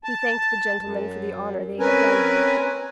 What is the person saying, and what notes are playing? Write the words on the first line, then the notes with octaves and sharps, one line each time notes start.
He thanked the gentlemen for the honor they had done him.
A5
F#2
C4 C#4 A#4 B4 G#5